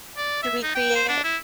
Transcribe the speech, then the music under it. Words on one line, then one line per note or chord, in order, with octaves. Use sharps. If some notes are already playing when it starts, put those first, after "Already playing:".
to recreate it?
D5
E5
D#4
G5
C5
D4
E4